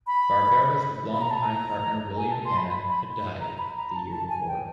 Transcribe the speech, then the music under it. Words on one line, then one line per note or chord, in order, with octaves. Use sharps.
Barbera's longtime partner William Hanna had died the year before.
B5
B5
A#5
A5
A#5
G#5
A5
C6
B5
B5
B5
A#5
B5
A#5
A5
A5
G#5
G5